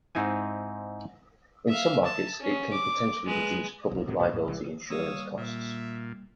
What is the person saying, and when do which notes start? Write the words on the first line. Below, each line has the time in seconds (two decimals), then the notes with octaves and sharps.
In some markets it can potentially reduce public liability insurance costs.
0.15 G#2 C4 D#4 E4 G#5
1.69 E5 F5
2.05 A5
2.41 C#4
2.72 D6
3.26 G#3 B4
3.92 F1 B1
4.07 D1 A2 C3 F#3
4.19 C#2 A2 C3 B3
4.33 E2 A2
4.48 C2 E3
4.90 G3 A#3 C#5 F5 D#6 E6
5.37 A#2 E5